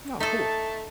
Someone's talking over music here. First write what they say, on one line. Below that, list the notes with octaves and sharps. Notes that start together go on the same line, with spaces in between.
Oh, cool.
A3 D#4 A4 A5